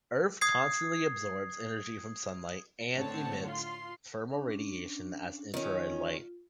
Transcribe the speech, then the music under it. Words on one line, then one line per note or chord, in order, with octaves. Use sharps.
Earth constantly absorbs energy from sunlight and emits thermal radiation as infrared light.
D#6 G#6 C7
A2 D3 C4 C#5 F#5 A5
F4 C6
C#4 D4
D#3 C#4 F4